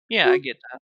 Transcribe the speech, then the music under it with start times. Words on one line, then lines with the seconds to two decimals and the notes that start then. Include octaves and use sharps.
Yeah, I get that.
0.25 F#4